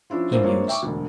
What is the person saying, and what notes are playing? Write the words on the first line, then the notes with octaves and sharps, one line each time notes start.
He mused.
F3 C#4 D4 E4 F4
C4 D4 E4 F4 A#4 C5
G#3 A#3 C4 D4 F4 C#5
E5 G5 C#6 D6
E1 D2